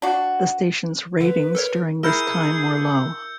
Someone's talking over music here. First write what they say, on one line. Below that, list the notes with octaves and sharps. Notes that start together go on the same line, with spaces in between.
The station's ratings during this time were low.
D4 F#4
D3 B4
A4 A#4 C#5
E4 G#4 A#4 E6 G6 C#7